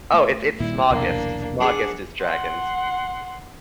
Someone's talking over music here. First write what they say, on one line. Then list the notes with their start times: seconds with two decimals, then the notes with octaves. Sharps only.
Oh, it's it's Smaugust. Smaugust is dragons.
0.14 A3
0.60 A#2 D#3 G3 E4
0.90 B1 E2 C3 A#3 D4
1.60 D4 G#4 F#5
2.22 F#5 C6